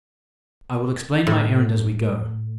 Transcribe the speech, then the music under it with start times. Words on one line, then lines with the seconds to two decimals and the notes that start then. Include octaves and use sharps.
I will explain my errand as we go.
1.27 A2